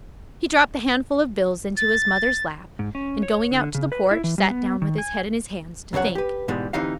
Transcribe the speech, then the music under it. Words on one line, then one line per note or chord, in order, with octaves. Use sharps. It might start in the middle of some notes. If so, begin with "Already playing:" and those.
He dropped the handful of bills into his mother's lap, and, going out to the porch, sat down with his head in his hands, to think.
A6
G#2
C#4
C#5
D3
C#3
B4
E4
E3
G3
B3
D#3
G#5
F2 C#3 F#3 C#5 F#5
G4 B4
G#2 B2 E3 G3 G#3
D2 C3 E3 D#4 F5